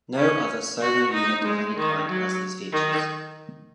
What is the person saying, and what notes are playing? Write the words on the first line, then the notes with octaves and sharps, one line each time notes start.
No other sonar unit of any kind had these features.
C#4
F#4
D#4
G#3
D#3
F#3
D#3